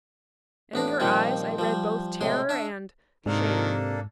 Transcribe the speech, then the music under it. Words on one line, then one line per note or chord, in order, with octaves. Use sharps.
And in her eyes I read both terror and--shame.
A1 B3 D4
A#2 D#3 F3 G3 C4
F3 G3
A2 C3 G#3 C6
D4 E5
G#2 C3 D#3 A#3 D4 A4